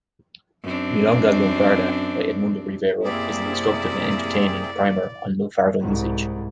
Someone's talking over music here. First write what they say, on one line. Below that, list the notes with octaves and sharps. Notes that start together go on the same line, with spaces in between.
"Milonga Lunfarda" by Edmundo Rivero is an instructive and entertaining primer on lunfardo usage.
F#2 C4 D4
F#2 C3 A#3 C4 E4 G#4 D5
C2 G#2